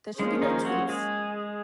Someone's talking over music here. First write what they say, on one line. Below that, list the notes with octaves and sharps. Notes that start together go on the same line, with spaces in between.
There should be no tweets.
F3 G#3 A#3 C#4 G#4 C5
D#3 D#4
F#3 F#4
G#3 G#4